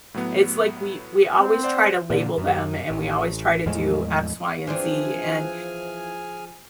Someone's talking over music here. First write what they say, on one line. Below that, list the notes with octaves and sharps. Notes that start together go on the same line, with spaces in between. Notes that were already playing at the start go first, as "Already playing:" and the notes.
It's like we we always try to label them and we always try to do X, Y, and Z, and
A2 F#3 B3
C4
C5 D5 F#5
A#2 D3
F#2
A1
E2 A2 F3 G#3
E3 F3 C4 D4 G#4 G#5 F6